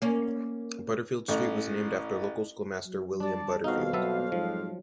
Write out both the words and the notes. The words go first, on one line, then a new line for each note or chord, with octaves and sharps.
Butterfield Street was named after local schoolmaster William Butterfield.
A#3 C#4
A1
F#3
G3 D4 D5 A5
F2 B2 D#4 F#4 F5
F#3 B3 A4 E5
G#2 F3